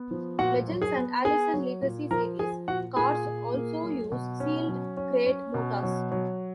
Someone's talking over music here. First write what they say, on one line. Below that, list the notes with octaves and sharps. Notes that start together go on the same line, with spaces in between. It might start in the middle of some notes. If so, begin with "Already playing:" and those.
Legends and Allison Legacy Series cars also use sealed crate motors.
Already playing: B3
F3
A#2 F#4 F#5
F#3
G#4 G#5
B3
B3 G#4 G#5
F#3
A#2
F3 A#4 A#5
F3 G#4 G#5
A#2 F#4 F#5
A#2 G#4 G#5
A#2
A#3
F#3
B2
C#4
F#3
C#4
C#4
B2
F#3
F#3